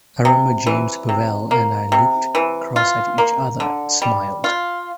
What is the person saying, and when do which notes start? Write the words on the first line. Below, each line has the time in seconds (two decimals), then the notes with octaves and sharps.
I remember James Bevel and I looked across at each other and smiled.
0.25 C3
0.67 E3
1.09 C3
1.51 A#3
1.92 C3
2.35 E3
2.76 F4
3.18 A#3
3.60 D3
4.02 G3
4.44 F4